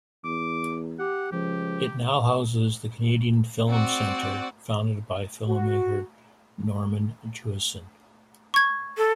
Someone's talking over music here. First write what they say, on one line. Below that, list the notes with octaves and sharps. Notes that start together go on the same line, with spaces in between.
It now houses the Canadian Film Centre, founded by filmmaker, Norman Jewison.
E2 D6
G4 F#5
C#2 F3 G4
C4 F#4 D5
F#4
C#6 G#6
A4